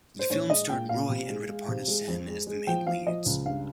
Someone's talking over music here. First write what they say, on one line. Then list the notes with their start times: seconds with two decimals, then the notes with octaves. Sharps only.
The film starred Roy and Rituparna Sen as the main leads.
0.19 C5
0.30 A#1 C#5
0.50 G#3 D#5
0.69 A#2 G5
0.89 A#2 F5
1.09 C3
1.29 G#3
1.49 G#3
1.68 C3
1.88 G#3
2.08 F2
2.27 G#3
2.47 G#3
2.67 F3 G5
2.87 F3 F5
3.06 F3 D#5
3.26 C#2
3.45 G2 F5